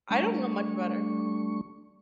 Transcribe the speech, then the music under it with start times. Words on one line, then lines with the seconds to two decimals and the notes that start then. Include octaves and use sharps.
I don't know much about her.
0.10 G3 A3 D4 C#6